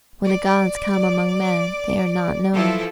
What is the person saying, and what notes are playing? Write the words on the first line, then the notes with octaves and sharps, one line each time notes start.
When the gods come among men, they are not known.
D5
E3 F3 E4 A4